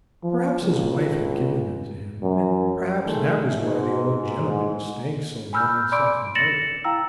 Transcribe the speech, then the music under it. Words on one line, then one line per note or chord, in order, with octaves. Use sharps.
Perhaps his wife had given them to him, and perhaps that was why the old gentleman was staying so long in South America.
F3
C#2
F#2
D#3 G#3 A3
G#2
G#5 B5 E6 F6 G6
D5 B5 C6 D6 E6 D7
D7
A6 A#6 C#7 E7 F#7
E4 F5 G5 A#5 E6